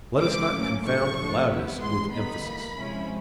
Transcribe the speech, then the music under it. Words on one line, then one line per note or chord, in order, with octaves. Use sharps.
Let us not confound loudness with emphasis.
E3 G#3 C4 D6
A2 F#3 A#3 C#4
F#3 A3 D4 C#6
A2 F3 A3 D4
C3 D#3 G3 B3 E4
A2 E3 G#3 C6
D3 G3 B3 D#4 B5
E3 G3 A#3
C3 F3 G#3 C#4 E4